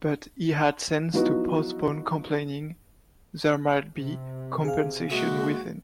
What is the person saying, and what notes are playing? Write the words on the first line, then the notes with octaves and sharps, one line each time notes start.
But he had sense to postpone complaining: there might be compensation within.
F3 F#3 B3 D#4 E4 F#4
C3
G#4 F5
G#3 A#3 F#4 E5